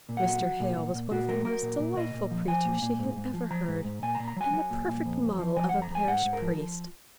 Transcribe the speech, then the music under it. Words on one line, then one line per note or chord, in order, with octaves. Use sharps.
Mr. Hale was one of the most delightful preachers she had ever heard, and a perfect model of a parish priest.
A#2
F#5
F#3
F#3
A#2
A#2
A#2
A#2 F#4
F#3 A#4
F#3 A#4
A#2
A#2
A#2 D#5
A#2
F3
F3 G#5
A#2
A#2
G#2
G#2
F3
F3 A#5
G#2
G#2
A#2 G#5
A#5
A#2
A#5
F#3 G#5
F#3
A#2
A#2
F2
F2
F3
F3 G#5
F2 F#5
A#5
F2 G#5
G#2 F#5
G#2
A#4
F3
F3